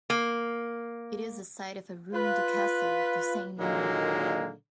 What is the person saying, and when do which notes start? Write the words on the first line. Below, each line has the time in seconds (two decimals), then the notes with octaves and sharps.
It is the site of a ruined castle of the same name.
0.10 A#3
2.13 F4 B4
3.59 A#2 D3 D#3 F#3 G#3 A#3